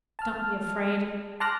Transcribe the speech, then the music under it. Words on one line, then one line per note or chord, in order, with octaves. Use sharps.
'Don't be afraid.
A5 F6
A5 C6 D6 F6 F#6 A#6